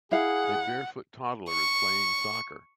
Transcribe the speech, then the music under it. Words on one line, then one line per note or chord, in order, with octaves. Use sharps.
A barefoot toddler is playing soccer.
E4 G#4 F5 F#5
C#6